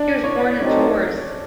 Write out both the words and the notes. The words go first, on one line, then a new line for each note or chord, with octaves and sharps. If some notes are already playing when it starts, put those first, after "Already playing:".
He was born in Tours.
Already playing: D4 D5
C#4 C#5
F#3 A3 C4 C#4 D#4 C#5